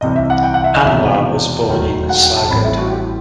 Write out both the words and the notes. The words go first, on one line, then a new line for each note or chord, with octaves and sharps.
Anwar was born in Sargodha.
C2 C3 E3 D#5
E5
F#5
G5
F#5
E5
D#5
E1 E2 C3 D#3 E5
E1 D#2 D#3 F#3 A3
F#5
G5
A5
A1 A2 E3 G3 C4 B5
E5
F#4
G4